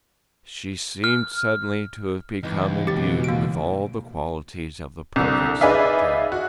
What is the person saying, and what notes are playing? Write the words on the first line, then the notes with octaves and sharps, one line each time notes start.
She seemed suddenly to have become imbued with all the qualities of the perfect secretary.
F6
C#2 E3 C4 D#4
B2 F#4 G4 A6
A#3 D7
C2 D3
D#4 G#4 B4 D5 E5 F5
F#4